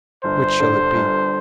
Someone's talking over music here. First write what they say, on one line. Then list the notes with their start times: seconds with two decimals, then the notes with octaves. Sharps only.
Which shall it be?
0.24 G1 C5
0.60 G2 D3
0.94 G1